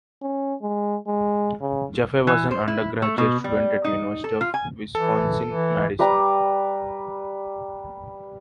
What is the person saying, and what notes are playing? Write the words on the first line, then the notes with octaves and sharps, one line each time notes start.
Jaffe was an undergraduate student at the University of Wisconsin–Madison.
C#4
G#3
G#3
C#3
E3
C5
E4
A3
B2
G3
D#4
A4
F4
G#5
E3 A4
E3
G3 B4 G5 A#5